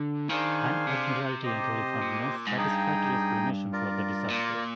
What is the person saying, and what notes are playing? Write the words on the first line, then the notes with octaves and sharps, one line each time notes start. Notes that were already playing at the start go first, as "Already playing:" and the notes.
An Admiralty enquiry found no satisfactory explanation for the disaster.
Already playing: D3
D#3 D4 G#4 C5 F5 G#5
C3
G4 C5 D#5
A#2
G#2
G2 D#4 G#4 D#5 G5
F4 A#4 D5
A#2